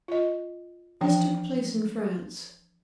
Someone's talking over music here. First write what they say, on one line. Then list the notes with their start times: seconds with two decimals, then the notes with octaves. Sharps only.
This took place in France.
0.08 F4 D#5
1.01 E3 F3 D4 G5